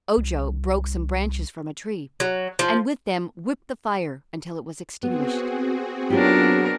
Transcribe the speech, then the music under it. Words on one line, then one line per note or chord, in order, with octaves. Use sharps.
Ojo broke some branches from a tree and with them whipped the fire until it was extinguished.
C2
F#3
F3
B3 C4 F#4 G#4
F#3 B3 C#4 D4 F4 G4 A#4